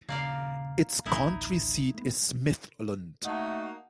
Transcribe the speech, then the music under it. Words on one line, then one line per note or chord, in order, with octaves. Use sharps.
Its county seat is Smithland.
D#1 C#3 A#3 D5 F5
A1 D2 D#4 E4 D#5
A3 B3
A3 A#3 D#4 F#4 F#5 A5